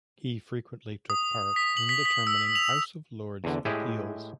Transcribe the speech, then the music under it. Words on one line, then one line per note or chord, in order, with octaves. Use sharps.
He frequently took part in determining House of Lords appeals.
D#6
B6
F#7
B6
B6
E6
F7
E2 D3
A2 G#3 E4 G4 G#4